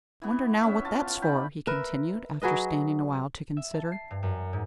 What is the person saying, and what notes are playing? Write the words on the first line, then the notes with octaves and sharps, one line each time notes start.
"Wonder now what thet's for?" he continued, after standing awhile to consider.
E3 B3
B3 C#4 E5
F4 A5
D#4 G5 B5
A#4 B4 E5
F#3 G#4 B4 D#5
E5
A5
C7
G2
F#2
G#2